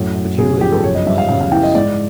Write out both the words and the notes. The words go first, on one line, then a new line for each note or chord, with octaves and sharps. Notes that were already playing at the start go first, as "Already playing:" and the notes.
But you have opened my eyes.
Already playing: F#2 A2
F#2
C#3 G#4
G#4
F3 G4
A4
F#2 C#5
D#5
G3 E5
F5
C#3 F5
F5
E3 G5
D#5
G#2 D5